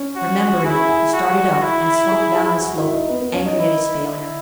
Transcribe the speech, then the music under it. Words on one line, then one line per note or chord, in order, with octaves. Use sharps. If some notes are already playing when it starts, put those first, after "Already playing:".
Remembering, he started up and slunk down the slope, angry at his failure.
Already playing: C#4 C#5
F#4
E4 G#4 G#5
G#4 G#5
F#4
E4
G#4 G#5
G#4 G#5
F#4 F#5
E4 E5
D#4 D#5
B3 B4
B3 B4
C#4 C#5
D#4 D#5
E4
E4